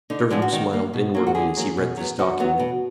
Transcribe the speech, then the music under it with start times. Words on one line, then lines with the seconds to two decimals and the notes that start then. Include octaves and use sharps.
Durham smiled inwardly as he read this document.
0.10 D3 D#4
0.20 D#4
0.30 F3 G#3 B3 D4
0.42 F#4
0.52 D#3
0.73 A#3
0.94 B2
1.15 F#3 A#3
1.27 F#4
1.35 D3 G#4
1.57 F#3 A#3
1.77 B2
1.97 F#3 B3
2.19 D3 F#4
2.40 F#3 B3
2.59 B2